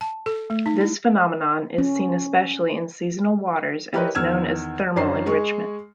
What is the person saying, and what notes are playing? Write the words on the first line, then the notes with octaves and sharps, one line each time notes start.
This phenomenon is seen especially in seasonal waters and is known as thermal enrichment.
A5
A4
A3
D#4
E4
C#4
E4 G4 A#4 B4 C#5 D#5
E2 D#3 E6 F6 G#6 E7
F#2 C#4 D4 C5 A#5 C7
G#3 G#4 C#6